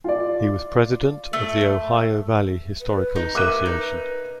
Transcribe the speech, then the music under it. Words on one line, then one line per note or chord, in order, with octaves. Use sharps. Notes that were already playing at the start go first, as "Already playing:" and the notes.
He was president of the Ohio Valley Historical Association.
F4 D5
A3
B4
D#4
A#4 E5 D6 F#6 D#7
D#4 B4